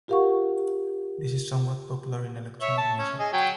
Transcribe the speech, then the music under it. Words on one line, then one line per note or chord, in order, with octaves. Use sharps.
This is somewhat popular in electronic music.
F4 G4 A#4 F5 F#5 C#6
C#5 E5
A5
C#4
G#4 D#5
F#3 G5